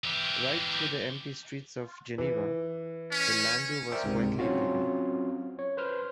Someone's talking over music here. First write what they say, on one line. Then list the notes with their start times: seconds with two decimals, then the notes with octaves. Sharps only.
Right through the empty streets of Geneva the landau was quietly driven.
0.04 E3 G4
2.18 E3
3.11 C#4
3.92 A#4 C5 D5 E5 G5
4.03 C#2 G#2 C3
4.39 F#3 C4 C#4 F4 F#4
5.59 C#5
5.77 B4 C5 F6